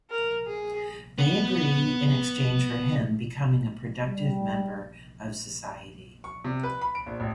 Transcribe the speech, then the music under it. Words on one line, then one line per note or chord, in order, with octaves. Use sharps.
They agree in exchange for him becoming a productive member of society.
A#4
G#4
B3 F#5
G3
C#6
C3
B4
B5
D7
A#1
A1